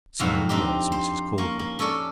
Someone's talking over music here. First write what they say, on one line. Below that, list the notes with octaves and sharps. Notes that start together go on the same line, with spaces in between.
So was Mrs. Caudle.
F2 G#2 B2 F#3 F5 F#5
C4 D4 D#4 G4
C5
A#3 C#4
A#3
C#4 A4 C#5 D5